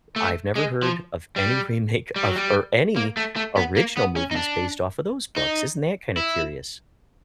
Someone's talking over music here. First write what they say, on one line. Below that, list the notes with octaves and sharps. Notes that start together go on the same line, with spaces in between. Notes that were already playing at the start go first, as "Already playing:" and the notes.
I've never heard of any remake of or any original movies based off of those books, isn't that kinda curious?
A3
G#3
F3
G3
G3
F#3
G3
A#3
A3
A3
B3
A#3
B3
C#4
D#4
D4
D#4
E4